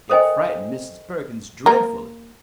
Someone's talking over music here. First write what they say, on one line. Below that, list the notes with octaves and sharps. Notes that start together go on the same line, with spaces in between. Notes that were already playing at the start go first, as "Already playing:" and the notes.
It frightened Mrs. Perkins dreadfully.
A4 A#4 C5 D#5 G5 G#5
A#3 A#4